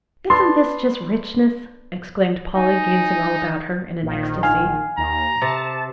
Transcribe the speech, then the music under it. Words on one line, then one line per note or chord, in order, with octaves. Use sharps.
"Isn't this just richness?" exclaimed Polly, gazing all about her in an ecstasy.
B3 D4 A4 C6
D#4 G#5
A#1 D#3
F5 G#5
D#2 A#5
C3 A5